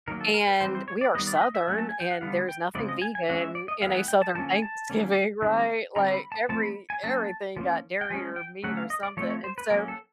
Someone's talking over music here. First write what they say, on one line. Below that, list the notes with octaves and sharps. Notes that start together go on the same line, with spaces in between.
and we are Southern and there's nothing vegan in a Southern Thanksgiving, right? Like every everything got dairy or meat or something, and so,
D#3 F#3 A#3 A#4
A4
A#4
B4
E3 G3 C4 C5
C5
C#5
D5
D#3 G3 B3 D#5
D5
E5
D#5
E5
F#3 A3 C#4
A5
G#5
G5
F#5
D3 G3 B3 F5
G5
C#3 F3 G#3 C4 D5
D#5
G#5
G#5
E3 G#3 C#4 F#5
E5
D5
D#5
E3 G#3 B3 F5
F#5
G5
A5
D3 F3 A#3 C#4 A5
G#5
A5
D#3 G3 A#3 C#4
D#3 G#3 C4
D3 G3 C4 A#5
B5
A5
F3 A3 C4 A5
B5
G#5
F#3 A#3 C#4 A5
F3 A#3 C#4
G5
F3 G#3 C#4 G#5
G5
D3 F#3 A3 C#4 F#5
F5
D#5
D5
F3 A3 C4 C#5
C#5
C5
B4
F#3 A#3 C#4 A#4
A4